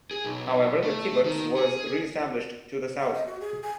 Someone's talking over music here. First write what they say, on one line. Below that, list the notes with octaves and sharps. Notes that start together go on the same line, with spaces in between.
However, the kibbutz was re-established to the south.
G#4
B1
A3
D#3
G#4
F#5
D#5
F#4
G#4
G#5